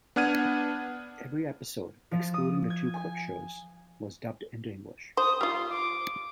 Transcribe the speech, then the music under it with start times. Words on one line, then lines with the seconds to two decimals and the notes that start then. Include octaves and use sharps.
Every episode excluding the two clip shows was dubbed into English.
0.16 B3 D4 F#5 F6 G#6 D#7
2.11 F3
2.34 D#6
2.70 G#6
2.94 G#5
5.17 C5 D#6
5.41 G3 F4 C6
5.70 D6